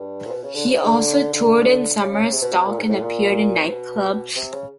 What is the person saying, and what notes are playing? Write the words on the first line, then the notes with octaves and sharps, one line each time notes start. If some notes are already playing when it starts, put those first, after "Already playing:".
He also toured in summer stock and appeared in nightclubs.
Already playing: G2
A#2
B2
C#3
D3
C#3
D3
D3
C#3
C#3
C#3
C3
B2
C3
A#2
G#2
A2
A#2
C3
B2
C3
C#3